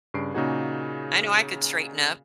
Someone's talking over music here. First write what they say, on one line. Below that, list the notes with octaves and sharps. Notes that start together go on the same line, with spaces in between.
I know I could straighten up.
G2 C#3 C7 D7
A#2 C#3 A#3 D#4 F#4 G#4